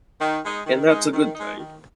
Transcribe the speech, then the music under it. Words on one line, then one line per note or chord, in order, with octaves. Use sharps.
And that's a good thing.
D#3
G#3 D#4
D#3
G#3 D#4
D#3
G#3 D#4
D#3